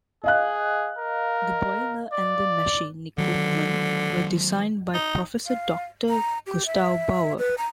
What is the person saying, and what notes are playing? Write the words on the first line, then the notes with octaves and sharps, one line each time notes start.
The boiler and the machine equipment were designed by Professor Doctor Gustav Bauer.
G#4 D#5 F5 F#6
A#4
D5
D3 D#3 F#3
D#4
F5
A#5
G4
E5
B4
A#5